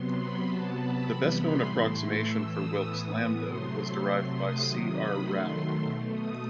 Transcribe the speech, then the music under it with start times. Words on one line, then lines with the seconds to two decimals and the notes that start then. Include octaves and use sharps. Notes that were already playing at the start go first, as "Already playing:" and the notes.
The best-known approximation for Wilks' lambda was derived by C. R. Rao.
Already playing: C3 F#3 B3 C6
0.18 B5
0.48 C3 F#3 B3 A5
0.77 B5
1.07 C3 E3 G3 B3
1.37 C6
1.66 A2 E3 A3
2.25 A2 E3 A3 E6
2.55 D#6
2.84 A2 E3 B3
3.44 C3 F#3 A3 C6
4.02 C3 F#3 A3 C6
4.32 D#6
4.62 C3 D#3 F#3 D#6
4.92 B5
5.21 D#3 F#3 A3 C6
5.80 B2 A3
6.10 D#6